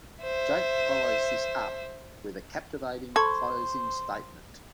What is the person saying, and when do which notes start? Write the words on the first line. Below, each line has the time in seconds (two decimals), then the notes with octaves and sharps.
Jake follows this up with a captivating closing statement.
0.23 C5 E5
3.16 A4 C5 B5 C#6 G#6